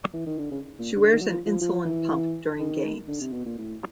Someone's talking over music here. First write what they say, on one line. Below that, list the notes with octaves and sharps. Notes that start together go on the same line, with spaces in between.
She wears an insulin pump during games.
E3
D#3
D3
C#3
A#2
D3
D#3
F#3
F3
F3
F3
E3
D#3
D3
C3
B2
A#2
A2